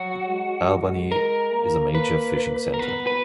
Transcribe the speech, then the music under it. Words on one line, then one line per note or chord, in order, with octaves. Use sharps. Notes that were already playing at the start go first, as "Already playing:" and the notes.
Albany is a major fishing centre.
Already playing: F#3 F#4
G#3
G#3 A#4
A#3
B4
A#4
B3 B4
B4